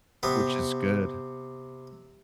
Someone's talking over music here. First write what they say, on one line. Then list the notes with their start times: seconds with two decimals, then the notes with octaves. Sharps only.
Which is good.
0.23 C3 B3